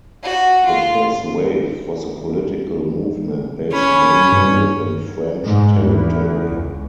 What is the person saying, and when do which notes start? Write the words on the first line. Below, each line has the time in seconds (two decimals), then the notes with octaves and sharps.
The first wave was a political movement based mainly within French territory.
0.23 F#4
0.65 F4
3.73 C#4 B5
4.32 G2
5.44 G#2
5.81 E2
6.51 C#2